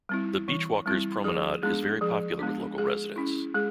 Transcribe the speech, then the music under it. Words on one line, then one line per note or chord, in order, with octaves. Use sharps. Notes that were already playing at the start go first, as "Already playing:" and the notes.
The Beach Walkers promenade is very popular with the local residents.
G3 C4 E4
E3
G3 C4 E4
F3 G#4
G#3 B3 D4 G#4
F3 G#4
G#3 B3 D4
G#3 G#4
C#4 E4
G#3 G#4